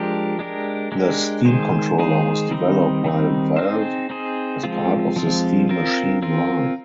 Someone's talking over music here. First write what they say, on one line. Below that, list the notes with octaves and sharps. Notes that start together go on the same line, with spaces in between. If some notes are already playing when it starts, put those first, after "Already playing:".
The Steam Controller was developed by Valve as part of the Steam Machine line.
Already playing: F3 G#3 D4 G4 A#4
G#3 D4 G4 A#4
G#3 D4 G4 A#4
D#3 G#3 D#4 G#4 C5
D#3 G#3 D#4 G#4 C5
D#3 G3 C4 D#4
D#3 G3 C4 D#4
C4 D#4 G#4 C5
C4 D#4 G#4 C5
F3 G#3 C4 F4
F3 G#3 C4 F4
C4 F4 A#4
C4 F4 A#4